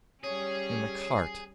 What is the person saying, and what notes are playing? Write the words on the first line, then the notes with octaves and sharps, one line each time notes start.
In the cart.
G3 C#4 G#4 C#5